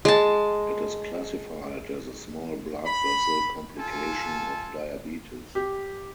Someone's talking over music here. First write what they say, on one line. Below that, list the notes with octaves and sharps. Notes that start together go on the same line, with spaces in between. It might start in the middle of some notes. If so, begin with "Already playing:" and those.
It is classified as a small blood vessel complication of diabetes.
G#3 A5
B5
F4 A4 G#5 A5
G4